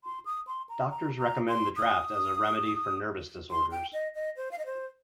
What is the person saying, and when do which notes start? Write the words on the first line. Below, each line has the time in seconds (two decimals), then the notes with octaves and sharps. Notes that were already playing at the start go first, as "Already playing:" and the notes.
Doctors recommend the draught as a remedy for nervous disorders.
0.04 C6
0.25 D#6
0.47 C6
0.69 A#5
0.90 A#5
1.19 A#5
1.48 C6
1.76 D#6
3.51 C6
3.71 G5
3.93 D#5
4.15 D#5
4.36 C5
4.51 F5
4.58 D#5
4.66 C5